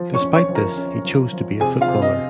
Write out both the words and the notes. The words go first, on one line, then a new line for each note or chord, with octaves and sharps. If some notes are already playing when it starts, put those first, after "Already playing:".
Despite this, he chose to be a footballer.
Already playing: F3
C#5 C#6
C#4
C#5 C#6
F3
A#4 A#5
C#4
F3
F3
C3 G#4 G#5
F4 F5
C3
D#5